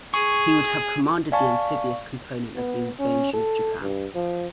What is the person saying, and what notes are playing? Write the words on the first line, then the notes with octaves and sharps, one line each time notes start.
He would have commanded the amphibious component of the invasion of Japan.
G#4 C#6
D5 F5 G#5 A5 C#6
B3
C#4
A4
G2
F3